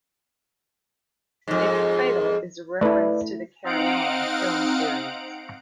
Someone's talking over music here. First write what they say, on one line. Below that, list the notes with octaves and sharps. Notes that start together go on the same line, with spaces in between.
Its title is a reference to the "Carry On" film series.
F2 G#2
A3 E4 B4 D5
C4 D#4 F5 F#5 D7